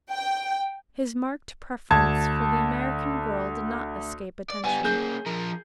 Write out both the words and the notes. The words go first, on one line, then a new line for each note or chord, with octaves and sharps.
His marked preference for the American girl did not escape attention.
G5
D2 A5 G#6
D5
G3 B3 G#5
A#3 C#4 G#4 G6
F3 A#4